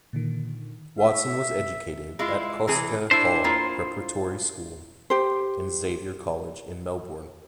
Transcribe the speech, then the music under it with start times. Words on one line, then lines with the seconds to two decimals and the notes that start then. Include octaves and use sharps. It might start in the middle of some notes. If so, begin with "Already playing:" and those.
Watson was educated at Kostka Hall preparatory school and Xavier College in Melbourne.
0.13 A#2 D3 D#3
0.99 E5
2.19 G#3 E4 F4
2.67 C3 E3 G#4
3.11 D4 E4 C5
3.44 A#3 E4 F4
5.10 G4 C5